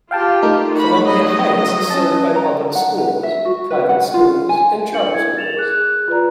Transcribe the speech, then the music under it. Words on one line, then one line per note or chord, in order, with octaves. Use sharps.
Columbia Heights is served by public schools, private schools, and charter schools.
F4 G4 F5 G5 A5
A3 D#4 A#4
F#4 B5
F#3 D#5
C#4 A5
A#5
F#5
B4
E5
F#4
B4
F#5
F4
G#5
D4 G6 C#7 F#7
E4 A#4 G#6
A6 E7 F7
G#4 F#6
F4 B4 D5 A#5